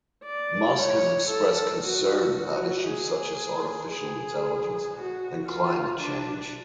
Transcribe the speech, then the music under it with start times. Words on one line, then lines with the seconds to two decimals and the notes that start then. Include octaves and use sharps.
Musk has expressed concern about issues such as artificial intelligence and climate change.
0.24 D5
0.78 C#5
1.29 A4
1.82 F#4
2.35 F#4
2.87 G#4
3.92 G#4
4.97 F#4
5.49 F4
6.02 D4